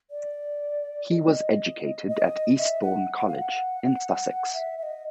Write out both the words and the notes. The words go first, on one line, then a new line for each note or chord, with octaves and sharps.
He was educated at Eastbourne College in Sussex.
D5
D#5
D#5
E5
F#5
F#5
F5
F#5
E5
E5
D#5